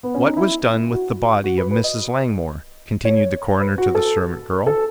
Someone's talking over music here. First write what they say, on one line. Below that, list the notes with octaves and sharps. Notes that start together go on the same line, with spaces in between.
"What was done with the body of Mrs. Langmore?" continued the coroner to the servant girl.
B3
C#4
D#4
E4
F#4
F#4
B4
B4
D#5
C#5
B4
F#4
A4
A4